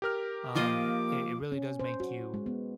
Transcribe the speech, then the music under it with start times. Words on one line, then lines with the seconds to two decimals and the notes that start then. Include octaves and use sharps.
um, it it really does make you
0.02 G4 A#4 F6
0.55 F3 A#3 F4 D#5 D6
1.52 C#4
1.80 C5
2.00 F#4
2.34 G#3
2.46 B3